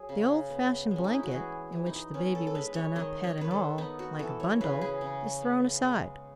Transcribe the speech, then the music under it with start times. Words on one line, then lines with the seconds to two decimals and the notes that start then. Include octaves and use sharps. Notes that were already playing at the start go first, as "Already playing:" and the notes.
The old-fashioned blanket, in which the baby was done up head and all, like a bundle, is thrown aside.
Already playing: F#3 G#4
0.09 C#3
0.50 B3
0.91 G#3
0.96 C#4
1.04 D#4
1.14 E4
1.23 F#4
1.31 E3 G#4
1.72 E3
1.86 D#4
2.14 B3 C#4
2.35 A4
2.47 A4
2.55 G#3 B4
2.75 C#5
2.96 D#3 D#5
3.24 C#5
3.38 D#3 B4
3.51 A4
3.78 B3 D#4
3.99 F#4
4.19 E3 A4
4.40 C#5
4.61 C#3 B4
4.81 G#4
5.01 C#3
5.42 B3
5.84 G#3